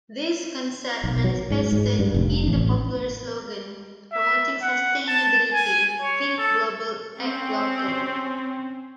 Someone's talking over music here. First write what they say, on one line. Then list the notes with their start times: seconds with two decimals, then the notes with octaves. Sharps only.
This concept manifested in the popular slogan promoting sustainability: think global, act local.
1.04 B1
1.24 F#3
1.51 G#2
1.72 G#2
1.99 G2
2.14 F1
2.47 A1
4.12 E5
4.62 F#5
5.08 A5
5.53 G#5
6.01 C#5
6.38 A4
7.22 C4 C#4